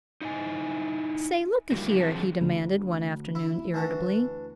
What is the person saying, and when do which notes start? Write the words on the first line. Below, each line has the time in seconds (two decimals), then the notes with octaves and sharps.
"Say, look a-here," he demanded one afternoon, irritably.
0.21 D#4 E4 D#5 G#5
1.72 D3 G3 A#3 E4 F#4 G4
2.00 D3 F3 C4 G#4 A5
2.41 D2
3.35 E4
3.74 E3 D4 F#4